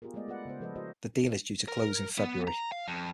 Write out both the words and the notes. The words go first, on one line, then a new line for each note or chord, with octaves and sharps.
The deal is due to close in February.
B3 F4 G4 G#4 A#4
G#3 A3 B3 D5 D#5
F4 A4 B4 D5 F#5
C#3 B3 C5
F3 G#3 A4 B4 D#5
E4 F#4 A#4 C5 D#5
A#4
B3
A#5
F5
F2